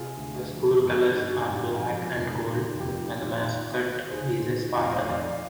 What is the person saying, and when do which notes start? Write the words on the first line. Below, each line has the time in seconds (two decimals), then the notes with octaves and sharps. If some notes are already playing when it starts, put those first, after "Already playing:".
The school colors are black and gold, and the mascot is a Spartan.
Already playing: C3 F4 G#4
0.17 D2
0.51 F3
0.84 G#1
1.16 G2
1.49 G#1 G4
1.82 F3
2.15 F1
2.47 D#2
2.80 F1 G4
3.12 D#3
3.45 D#3
3.78 D#3
4.11 D#2 G#4 C5
4.44 D#2
4.76 F1 D#5
4.85 F5
4.92 C5 D#5
5.09 F2 D5 F5